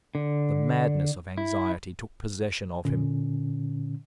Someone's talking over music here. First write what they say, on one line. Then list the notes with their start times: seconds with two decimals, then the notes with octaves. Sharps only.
The madness of anxiety took possession of him.
0.15 D3
1.38 E4
2.85 A#2 D3 C#4